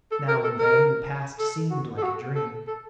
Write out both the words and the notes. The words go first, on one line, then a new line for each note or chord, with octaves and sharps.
Now and then the past seemed like a dream.
A4
A#4
A4
A#4
A4
F#4
A4
F#4
A4
A4